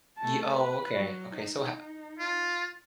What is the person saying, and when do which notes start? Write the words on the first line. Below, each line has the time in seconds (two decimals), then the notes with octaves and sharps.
Y oh, okay, okay. So ho
0.17 A3 A5
0.51 B4
0.95 F#3
1.37 D#4
2.19 F4